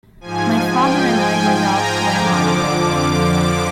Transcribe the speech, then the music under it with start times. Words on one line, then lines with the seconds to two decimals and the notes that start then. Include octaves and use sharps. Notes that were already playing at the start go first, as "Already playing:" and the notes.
My father and I went out to Ann Arbor.
0.21 G#2 F3 G#5
0.70 G5
1.19 G#5
1.68 A#5
2.16 F2 D3 F3 D6